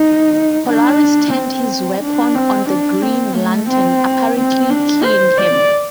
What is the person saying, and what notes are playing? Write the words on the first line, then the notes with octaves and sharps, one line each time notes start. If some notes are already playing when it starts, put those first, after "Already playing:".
Polaris turned his weapon on the Green Lantern, apparently killing him.
Already playing: D#4
D4
C4
D4
C4
D4
C4
A3
C4
C4
D4
C5
D5